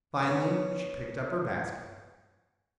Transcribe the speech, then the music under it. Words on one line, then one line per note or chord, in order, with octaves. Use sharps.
Finally she picked up her basket.
B3 C#4